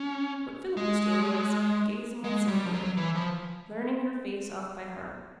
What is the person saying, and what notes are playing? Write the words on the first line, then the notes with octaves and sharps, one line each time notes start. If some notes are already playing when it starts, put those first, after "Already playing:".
What Philip was doing was, gazing at Sylvia--learning her face off by heart.
Already playing: C#4
G#3
G#3
G3
F3
F#3
E3
F3